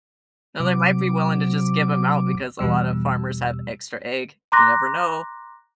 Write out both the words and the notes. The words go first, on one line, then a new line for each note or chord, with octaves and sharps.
Now they might be willing to just give 'em out because a lot of farmers have extra egg. You never know.
C3 F#3 D6
E2 B2 G3 E6
A#5 C6 D6 F#6 A#6